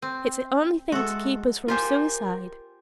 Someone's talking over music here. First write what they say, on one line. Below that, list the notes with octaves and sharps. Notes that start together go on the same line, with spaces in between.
It's the only thing to keep us from suicide.
C4
G#3 F#4 A4 E5
F4 G4 A#4 C5 G#5